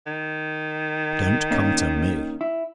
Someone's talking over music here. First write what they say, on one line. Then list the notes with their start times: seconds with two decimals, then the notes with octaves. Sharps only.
Don't come to me.
0.07 D#3
1.51 A#3 C#4 D#4
2.41 E4